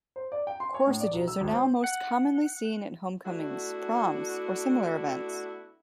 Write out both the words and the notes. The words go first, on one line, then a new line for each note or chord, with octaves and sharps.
Corsages are now most commonly seen at homecomings, proms, or similar events.
C5
D5
G5
C6
C#5
A2
D5
B1
E6
G#1
C4
F#5
A3 B3 D4 E4 F#4